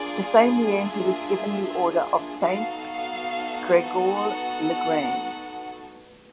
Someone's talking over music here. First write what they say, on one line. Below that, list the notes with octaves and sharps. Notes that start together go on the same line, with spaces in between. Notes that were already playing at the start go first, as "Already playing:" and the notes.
The same year he was given the order of Saint-Grégoire-le-Grand.
Already playing: A#3 D4 F4 G#4 D5
E5
B3 D#4 F#4 A4 F5
F#5